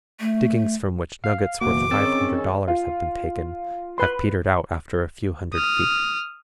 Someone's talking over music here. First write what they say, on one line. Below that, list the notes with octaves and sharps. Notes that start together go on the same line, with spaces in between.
Diggings from which nuggets worth five hundred dollars have been taken have petered out after a few hundred feet.
A3
F5
F#1 C#2 B2 E3 A#3 F#4 D6
D#3 G#3 C4 C#4 G#4 E6 A6
F4
B4 C6
D#6 F6